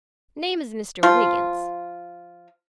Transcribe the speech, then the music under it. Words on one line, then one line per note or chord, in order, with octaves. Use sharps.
"Name is Mr. Wiggins."
F3 F4